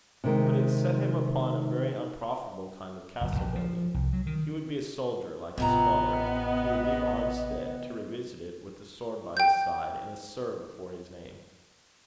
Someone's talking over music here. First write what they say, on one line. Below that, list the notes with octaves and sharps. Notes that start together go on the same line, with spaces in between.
But it set him upon a very unprofitable kind of castle-building: he would be a soldier like his father; he would leave Arnstead, to revisit it with a sword by his side, and a Sir before his name.
C3 D#3 G#3
F#1
A#1
F3
C2
F#3
D#3
A1 C3 E3 B3 F4 D#5 A#5
G5 G6